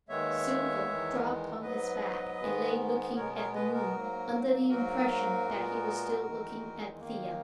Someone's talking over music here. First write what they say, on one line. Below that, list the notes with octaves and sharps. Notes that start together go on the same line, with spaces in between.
Silvo dropped on his back and lay looking at the moon, under the impression that he was still looking at Thea.
D#2 D#3 G#3 B3 C#5 E5
E2 D#3 G#3 B3
G#2 F#3 B3 B4 D#5
G#2 D#3 G#3 B3
B2 G#3 B3 A#4 C#5
A#4 C#5
B4 D#5
F#4 A#4
G#2 F#3 A#3
G#2 F#3 A#3 F#4 A#4
A#2 G#3 B3
E2 D#3 G#3
D#2 D#3 A#3